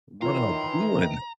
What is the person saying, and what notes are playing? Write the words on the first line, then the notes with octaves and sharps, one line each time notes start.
"What am I doing?"
D#3 E3 F4 A4 C#5 A#5 C6